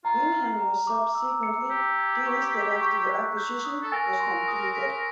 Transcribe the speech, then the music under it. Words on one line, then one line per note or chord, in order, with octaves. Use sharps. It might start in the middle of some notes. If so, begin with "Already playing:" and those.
Wing Hang was subsequently delisted after the acquisition was completed.
F4 A#5
F6
A#5
D6
E6
C#7
G4 E6
G#6
C#6
B6
C#6
F#6
G6
D#6
A4
A#4 G#5
C6
D#6
B6